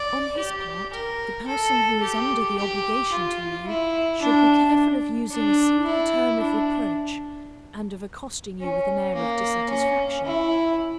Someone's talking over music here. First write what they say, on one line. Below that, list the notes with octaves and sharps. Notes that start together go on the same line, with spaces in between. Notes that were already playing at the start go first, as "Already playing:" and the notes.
On his part, the person who is under the obligation to you, should be careful of using a single term of reproach and of accosting you with an air of dissatisfaction.
Already playing: D5
G4
A#4
A4
G4
G4
F4
E4
D4
D4
E4
D4
C#4
A#3
C#4
E4